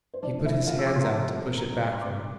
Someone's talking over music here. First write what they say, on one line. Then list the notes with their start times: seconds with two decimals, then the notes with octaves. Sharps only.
He put his hands out to push it back from him.
0.14 C5
0.22 F3 D4 D5
0.38 A3
0.45 E4 E5
0.53 F3
0.67 F3 F4 F5
0.79 E6
0.83 A3 D6
0.96 F3 C6
1.04 A#5
1.12 C3 A4 A5
1.28 G3
1.43 C3
1.56 C3 A#4 A#5
1.72 G3
1.87 G3
1.95 C6
2.01 C3 D5 D6
2.17 C3